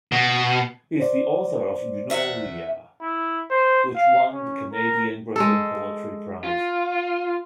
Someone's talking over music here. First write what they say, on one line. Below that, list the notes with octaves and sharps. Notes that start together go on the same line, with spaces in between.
He is the author of "Eunoia", which won the Canadian Griffin Poetry Prize.
B2
C5 D5
E2 E5 F#5
E4
C5
F5
C#4
A#4
G#3 A4
F4